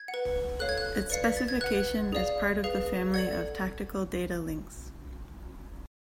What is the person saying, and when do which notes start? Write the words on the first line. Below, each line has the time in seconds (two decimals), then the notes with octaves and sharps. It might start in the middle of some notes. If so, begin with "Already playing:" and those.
Its specification is part of the family of Tactical Data Links.
Already playing: G#6
0.08 F#5
0.14 B4
0.59 A4 C#5 F5 F#6
0.69 G#6
0.78 F#6
1.10 B4 D5 F5 C#7
1.24 B6
1.37 A6
1.48 G#6
1.61 B4 F#5 F#6
2.12 G#4 D5 F5
2.64 G#4 B4 F5
3.14 A4 D5 F#5 G#6